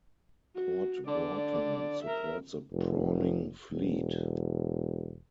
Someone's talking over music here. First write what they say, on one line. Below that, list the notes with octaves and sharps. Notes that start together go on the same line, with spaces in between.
Port Broughton supports a prawning fleet.
F#4
D3 D5
A#4 E5
F1
E1